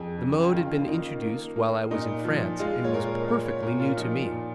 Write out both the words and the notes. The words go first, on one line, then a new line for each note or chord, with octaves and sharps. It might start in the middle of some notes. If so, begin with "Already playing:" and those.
The mode had been introduced while I was in France, and was perfectly new to me.
Already playing: F2 G#4
C#3
D#3 F4
F4
A#3 D#4
A#3
A#3
A#2 D#4
F3
G#3 F4
C#5
A#2 A#4
A#2 C#5
C#5
A#2 A#4
F4
F3 D#4
A#2